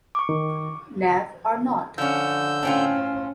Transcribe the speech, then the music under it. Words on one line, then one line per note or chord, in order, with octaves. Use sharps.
Knave or Not?
C#6 D6
D#3
D3 F3 C#4 E6 G6
A2 C4 C#4 F4